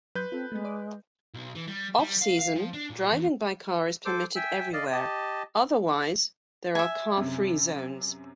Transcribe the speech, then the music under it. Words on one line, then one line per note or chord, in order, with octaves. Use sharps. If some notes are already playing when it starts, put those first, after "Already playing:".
Off-season, driving by car is permitted everywhere, otherwise there are car-free zones.
F#3 B4 C6 G6
C4 F4 A4
G#3 A3 B3
D5 D6 D#6
B1
E3
G3
G3
F5
F5
F3
D4
A#2
E2
A4 C5 D6
E5 G5 G#5 E6
D5 D#5 F5
G4 D#5 A5
E5 G#5
F#2 C3